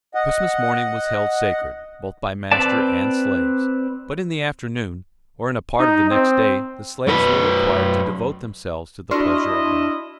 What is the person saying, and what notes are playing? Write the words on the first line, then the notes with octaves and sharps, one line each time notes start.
Christmas morning was held sacred both by master and slaves, but in the afternoon, or in a part of the next day the slaves were required to devote themselves to the pleasure of their masters.
D#5 F#5
C4 B4 D5 A5
D#4
C4
F#2 F#4 B4
D4 E4 F#4 D#5 C6 C#6 F6